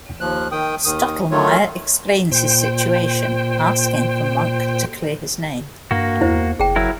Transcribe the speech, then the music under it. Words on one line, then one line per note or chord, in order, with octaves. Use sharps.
Stottlemeyer explains his situation, asking for Monk to clear his name.
D#2 F3 F#6
D#3 G5 D#6
D#2 D#3 D#6
D#3 F#3 A3 F4 C#5
A#2 C5 G5
G2 A#3 F#4
E2 E4 C5
F#1 G#4 G5
F#3 E4 A#4